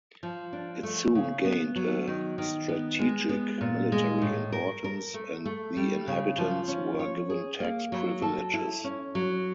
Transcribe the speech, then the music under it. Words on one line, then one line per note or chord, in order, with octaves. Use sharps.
It soon gained a strategic military importance and the inhabitants were given tax privileges.
F3
D4
A3
C#3
B3
F#3
D#3
D#3
B3
G#3
B3
A#2
G#3
A2
A#4
A#4
A3
A3
G3
C#3
F3
C#4
C#5
G#4
A#3
F#3
A4
E4
C#4
F#3